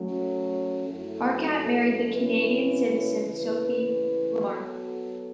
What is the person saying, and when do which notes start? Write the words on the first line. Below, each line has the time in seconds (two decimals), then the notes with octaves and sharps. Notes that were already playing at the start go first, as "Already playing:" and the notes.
Harkat married the Canadian citizen Sophie Lamarche.
Already playing: F#3 A3 C#4
0.88 F#2 F#3 A3 E4 A4
2.06 C#3 F#3 C#4 E4 B4
3.23 C#3 E3 A3 E4 B4
4.40 F#3 B3 F#4 A4